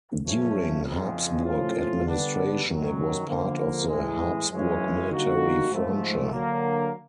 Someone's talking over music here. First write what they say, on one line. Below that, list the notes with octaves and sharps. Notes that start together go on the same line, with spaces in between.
During Habsburg administration, it was part of the Habsburg Military Frontier.
F#2 C#3 F3 A3 C#4
F2 C#3 F3 G#3
A2 F3 A3 C#4 F4
D3 G3 B3 D4
F#2 D#3 F#3
D3 F3 A#3
A2 E3 G#3
F#2 C#3 E3 G#3 C#4
D3 G3 A#3 D#4 F#4
G#2 F3 A3
D3 F#3 A#3